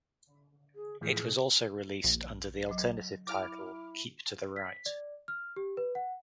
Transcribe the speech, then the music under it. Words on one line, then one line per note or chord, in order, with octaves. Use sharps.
It was also released under the alternative title Keep to the Right.
G#4
A2 E3 F3 G#4
B2
A#1
F#3 D#5
E4 D6 F6
B6
D5
F6
G4
B4
F#5